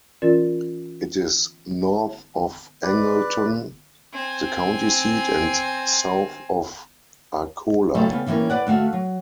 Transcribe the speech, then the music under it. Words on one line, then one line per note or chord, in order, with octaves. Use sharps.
It is north of Angleton, the county seat, and south of Arcola.
E3 C#4 F4 A#4 D5 A6
B4 D5
C4 G#5
C#3 F#3 G3 A3
C#3 G3 B3
D3 E3 G3 A#3 C#4
B4 D5 F#5
D2 A3 F#4 F5
F#3